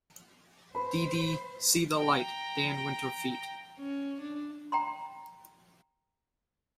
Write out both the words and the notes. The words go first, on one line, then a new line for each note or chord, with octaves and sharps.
Dee Dee "See The Light," Dan Winter feat.
B4 C5 B5
G5 A#5
C#4
D4
G5 A#5 C6